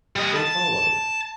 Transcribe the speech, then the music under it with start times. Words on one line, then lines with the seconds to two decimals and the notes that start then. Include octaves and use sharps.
They followed.
0.16 G3 D#5
0.36 A5